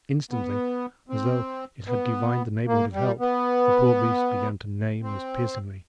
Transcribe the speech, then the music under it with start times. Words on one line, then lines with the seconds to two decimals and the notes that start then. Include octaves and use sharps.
Instantly, as though it had divined the neighbourhood of help, the poor beast began to neigh most piercingly.
0.31 B3
1.10 C4
1.88 B3
2.67 A#3
2.93 G3
3.20 B3
5.03 C4